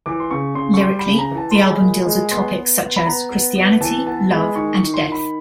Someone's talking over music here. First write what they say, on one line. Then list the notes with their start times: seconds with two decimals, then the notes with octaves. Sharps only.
Lyrically, the album deals with topics such as Christianity, love and death.
0.06 E3 D6
0.20 C6
0.31 C#3 C#6
0.55 C#3 C6
0.74 C#6
0.81 G3 C6
0.99 B5
1.06 C#3
1.19 A#5
1.31 E3
1.37 A5
1.51 C6
1.55 G#3 B5
1.81 A#2
2.05 G#3
2.31 B3 C6
2.56 B3
2.80 B3
2.97 B5
3.06 B3 A#5
3.30 B3
3.55 B3
3.81 E3 A5
4.06 B3 A5
4.31 G#3 B5
4.56 D#3 C#6
4.75 C#6
4.82 D#3
4.94 C6
5.07 D#3
5.12 B5